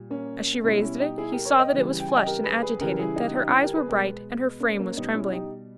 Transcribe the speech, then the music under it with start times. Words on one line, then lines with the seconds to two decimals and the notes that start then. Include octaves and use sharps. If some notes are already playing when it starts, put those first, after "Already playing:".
As she raised it, he saw that it was flushed and agitated; that her eyes were bright, and her frame was trembling.
Already playing: A#2 G3
0.10 A#3 C#4
0.64 B2 G3 C#4 E4
0.82 C#4 E4
1.00 D#4 G4
1.18 E4 G#4
1.32 G4 A#4
1.45 A#4 C#5
1.59 D#5 G5
1.73 C#3 E3 G3
2.00 G5
2.08 G#5
2.16 D#5 G5
2.26 G4 A#4
2.44 G#4 B4
2.62 G#4 B4
2.80 C#3 E3 G3 G4 A#4
2.99 E4 G#4
3.16 D#4 G4
3.35 D#4 G4
3.48 C#4 E4
3.61 G4 A#4
3.75 G#4 B4
3.89 B2 G#3 G4 A#4
4.06 B3
4.42 B3
4.60 A#3 C#4
4.79 A#3 C#4
4.96 B2 G3 B3 D#4
5.14 C#4 E4
5.33 D#4 G4